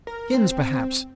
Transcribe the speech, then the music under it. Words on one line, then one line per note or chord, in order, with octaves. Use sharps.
Skins perhaps.
A#4
C4